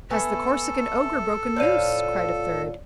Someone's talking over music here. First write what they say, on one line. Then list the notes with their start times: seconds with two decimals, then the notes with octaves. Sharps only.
"Has the Corsican ogre broken loose?" cried a third.
0.11 A3 B3 A4 G#5
1.56 A2 F3 C#5 D5 F5 D#7